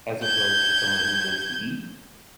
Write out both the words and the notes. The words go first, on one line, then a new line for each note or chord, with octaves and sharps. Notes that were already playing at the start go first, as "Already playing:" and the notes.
as opposed to someone who lives to eat,
G6 G#6